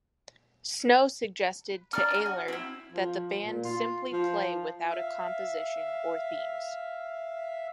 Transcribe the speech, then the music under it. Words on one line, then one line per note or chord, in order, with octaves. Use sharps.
Snow suggested to Ayler that the band simply play without a composition or themes.
D4 A#5 F6
D#5 F6
F#4
C4 E4
F3
A#2
F4
F3
E5 F5